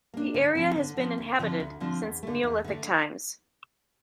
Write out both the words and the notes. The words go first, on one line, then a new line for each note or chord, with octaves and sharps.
The area has been inhabited since Neolithic times.
A#3 D4
D3
F3 C4
D3
F3 C4
D2
D3 F3 C4
D2
D3 F3 C4
E2
D3 A3
E2
D3 A3